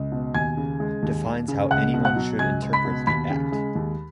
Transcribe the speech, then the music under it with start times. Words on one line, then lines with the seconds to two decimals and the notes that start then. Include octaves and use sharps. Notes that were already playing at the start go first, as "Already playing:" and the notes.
Defines how anyone should interpret the Act.
Already playing: C#2
0.12 B2
0.34 D#2 G#5 G#6
0.57 C#3
0.80 G#3
1.03 D#2
1.25 D#2
1.48 C#3
1.71 C#2 F#5 F#6
1.94 B2
2.05 F#5 F#6
2.16 F#3
2.39 C#2 G#5 G#6
2.62 C#2
2.73 B5 B6
2.85 B2
3.07 D#2 B5 B6
3.30 C#3
3.52 G#3
3.75 D#2